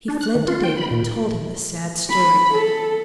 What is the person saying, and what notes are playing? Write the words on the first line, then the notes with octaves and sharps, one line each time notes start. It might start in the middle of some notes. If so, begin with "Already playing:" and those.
He fled to David and told him the sad story.
D4
F#6
D#3
F4
G5
B5
A#2
B5
A4